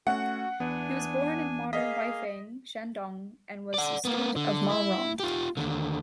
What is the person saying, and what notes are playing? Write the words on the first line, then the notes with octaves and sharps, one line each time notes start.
He was born in modern Weifang, Shandong, and was a student of Ma Rong.
A3 C#4 F#4 F#5
E2 B3 D4 G#5
A#3 G#4 D#5 F5 B6
D5 F#5
A#3 B3
D3
E4
F4 G4
D#2 D3